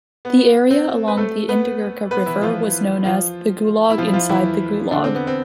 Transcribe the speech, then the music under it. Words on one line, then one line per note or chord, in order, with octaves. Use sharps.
The area along the Indigirka river was known as "the Gulag inside the Gulag".
B3
C4
B4
A3 A4
B3 B4
B3 B4
E3 E4
F3 F4
F3 F4
E4
F3 F4
E4
F3 F4
E3 E4
D3 D4
C4
B3
C4